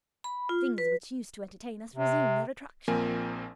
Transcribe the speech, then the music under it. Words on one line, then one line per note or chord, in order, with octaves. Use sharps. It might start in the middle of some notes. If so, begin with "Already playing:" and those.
Things which used to entertain us resume their attraction.
B5
F4
B4
C3
A#1 F3 A#3 C4 A#4 G#5